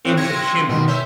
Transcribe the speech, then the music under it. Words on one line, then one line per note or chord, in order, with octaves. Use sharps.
into chimneys
A2 C4
F#2 C3 C4 G#6 A#6 C#7
B2 D#3 G3
C#4 E5 G6